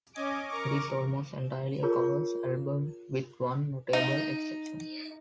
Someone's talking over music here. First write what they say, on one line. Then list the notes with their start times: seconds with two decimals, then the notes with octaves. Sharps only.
It is almost entirely a covers album, with one notable exception.
0.13 C#4 D#5 G#5 D6
0.48 A#4 A#5 C#6 D6
1.83 F4 G#4 A#4 B4 C#5
3.93 D#4